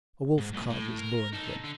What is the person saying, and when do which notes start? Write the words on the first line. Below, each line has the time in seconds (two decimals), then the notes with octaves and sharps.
A wolf cub is born to them.
0.38 G#2
0.53 C2 A#2
0.70 A2
0.98 A#4
1.33 D#4 A4
1.64 D3